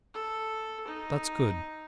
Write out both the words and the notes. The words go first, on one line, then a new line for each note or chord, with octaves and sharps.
"That's good."
A4
D#4